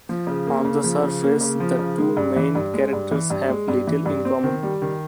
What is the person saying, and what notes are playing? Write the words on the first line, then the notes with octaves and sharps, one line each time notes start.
On the surface, the two main characters have little in common.
F3
C#3
A#3
C#3
F3
C#3
A#3
C#3
F3
C#3
G#3
G2
E3
G2
G#3
G2
E3
G2
G#3
G2
E3
G2
C4
D#3
G3
D#3